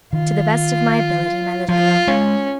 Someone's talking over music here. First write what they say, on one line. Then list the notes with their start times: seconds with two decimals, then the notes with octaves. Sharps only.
"To the best of my ability, my little girl."
0.13 D#3 F4
1.69 F3 F4
2.07 G#3 C#4